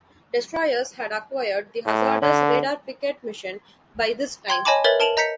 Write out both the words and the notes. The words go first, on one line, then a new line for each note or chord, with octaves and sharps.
Destroyers had acquired the hazardous radar picket mission by this time.
A2
D3
G5 C6 G#6
C#5 D#5 G#5 A5 B5 D6
A#4 B4 C#5 E5 A6 F#7
A#4 A5 D7 F7 F#7
D#5 A#5 G6 B6 C#7